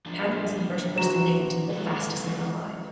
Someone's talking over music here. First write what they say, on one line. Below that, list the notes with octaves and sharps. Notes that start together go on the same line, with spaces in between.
Paddock was the first person named "The fastest man alive".
F3 D4
E3 F#4 A#5 E7
G#3 A4 B4